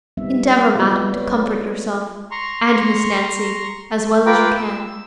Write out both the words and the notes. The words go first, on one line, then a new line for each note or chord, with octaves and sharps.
Endeavour, madam, to comfort yourself, and Miss Nancy, as well as you can.
G3 G#3 B3 C4 D#4 E5
F#3 G#3 B3 F4 B4 D#5
G#3 B4 C#5 D5
A3
A#5 C6 C#6
F4 A#4 B4 G5 D6
E6